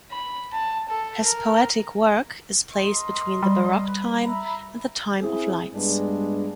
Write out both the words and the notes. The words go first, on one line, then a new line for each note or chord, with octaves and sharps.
His poetic work is placed between the baroque time and the time of lights.
B5
A5
A4
A#4
A#4 D#5 C6
G3
B4
E5 A#5 B5
C4 E4 G#4
G2 G3 G#3 B3 D4